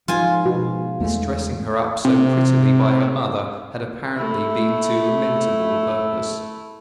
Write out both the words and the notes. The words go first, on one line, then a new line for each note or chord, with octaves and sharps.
This dressing her up so prettily by her mother had apparently been to lamentable purpose.
G#2 F3 F4 G#5
B2
E2 G#3 A3
C3
A3 E4